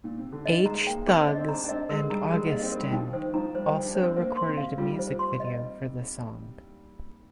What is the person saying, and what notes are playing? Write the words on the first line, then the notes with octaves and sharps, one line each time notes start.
H Thugz and Augustin also recorded a music video for the song.
A#2
C3
D3
D#3 D#5
G#3 A#5
A#3 G5
C4 G#4
D4
D#5
C4
A#5
D4
D4
C4 D#5
G#3 A#4
G3 A#5
G#3 A#4
A#3
D#5
C4
A#4
G3
D#3
F3 G5
D#3 C5
F3 A#5
G3 C5
G3
G5
D4
C5
C4
A#3 C5
C6
C3
F5
G3 F4
C5
C6
D#5